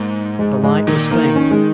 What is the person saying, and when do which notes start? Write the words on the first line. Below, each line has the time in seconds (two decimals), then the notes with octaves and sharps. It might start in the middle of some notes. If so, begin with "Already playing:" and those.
The light was faint.
Already playing: G#2 A#3
0.39 G#3
0.63 G#3
0.87 A#2 D#3
1.11 D#3 A#3
1.36 C#4
1.51 G#3